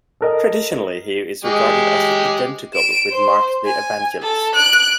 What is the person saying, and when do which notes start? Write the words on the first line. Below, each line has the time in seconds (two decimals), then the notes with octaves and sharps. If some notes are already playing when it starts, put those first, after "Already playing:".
Traditionally he is regarded as identical with Mark the Evangelist.
0.21 A4 A#4 D#5
1.45 G#3 G4 G#4
2.74 D7 E7
3.10 C5
3.65 G#5
4.22 A4
4.55 F#6 D7